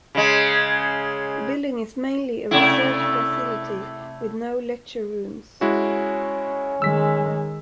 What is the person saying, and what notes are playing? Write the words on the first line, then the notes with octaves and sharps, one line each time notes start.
The building is mainly a research facility with no lecture rooms.
C#3 G#3
C3 A3 E4
G#3 C#4 E4 F#4
D#3 G#3 E6 B6